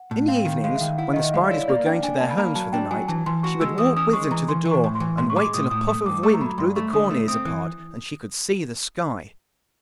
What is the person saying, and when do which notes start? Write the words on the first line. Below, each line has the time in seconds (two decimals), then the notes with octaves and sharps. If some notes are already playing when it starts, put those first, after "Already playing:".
In the evenings, when the spiders were going to their homes for the night, she would walk with them to the door and wait till a puff of wind blew the corn ears apart, and she could see the sky.
Already playing: F#5
0.11 A2
0.28 C4 F5
0.45 D#3
0.64 G#3 F5
0.76 E5
0.81 D#3
0.98 E4 F#5
1.13 D#3 D#5
1.24 E5
1.33 G#3 F5
1.44 D5
1.50 E4 C#5
1.68 A#3 D5
1.86 D4 G5
2.03 D4 G#5
2.21 A#3 A5
2.30 B5
2.38 A#3 A#5
2.55 F#3 A5
2.73 D4 G5
2.91 F#3 G#5
3.08 E3 A5
3.26 E3 C6
3.43 F#4 C#6
3.61 G#3 E6
3.78 E3 D#6
3.96 C#4 D#6
4.13 G#3 C#6
4.31 E3 A#5
4.49 E3 C6
4.65 E3
4.71 C#6
4.84 A2
4.95 C6
5.00 E3
5.18 A2 C6
5.30 C#6
5.36 G#3 D6
5.54 A2 D#6
5.70 A2 D#6
5.88 A3 D#6
6.06 G2 D6
6.23 A3 C#6
6.34 A#5
6.41 F#3 B5
6.58 G2 C6
6.76 A3 C#6
6.93 D3 D#6
7.10 A3
7.28 C4 D#6
7.45 E3